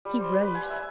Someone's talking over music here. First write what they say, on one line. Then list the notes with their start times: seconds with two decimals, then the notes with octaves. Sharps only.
He rose.
0.05 G3
0.20 C5
0.41 B4
0.55 G#5
0.70 E5